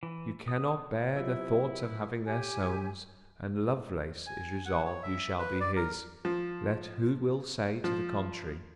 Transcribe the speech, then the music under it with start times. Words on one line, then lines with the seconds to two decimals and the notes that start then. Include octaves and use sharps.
You cannot bear the thoughts of having their Solmes: and Lovelace is resolved you shall be his, let who will say to the contrary.
0.03 E3
0.48 D#6
1.16 C3 F#3 E4 F4
2.26 G4 G#5
4.27 G#5
4.66 F#5
4.85 C#5
5.03 E5
5.39 B4
5.60 D5
5.76 A#4
6.25 F3
7.84 F3